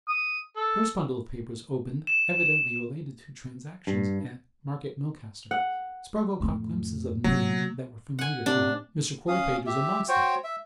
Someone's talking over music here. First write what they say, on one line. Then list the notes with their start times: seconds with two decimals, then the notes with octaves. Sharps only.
The first bundle of papers opened evidently related to transactions at Market Milcaster: Spargo caught glimpses of names that were familiar to him, Mr. Quarterpage's amongst them.
0.08 D#6
0.56 A4
2.07 E7
3.87 G2
5.51 F#5
6.40 F2 A2
7.24 C3 F#3 A#3
8.19 F#5 G#5
8.46 C3 D4
9.28 C#4 F5 D#6
9.66 G4 E5
10.08 F#4 C5 C#5 G5
10.44 E5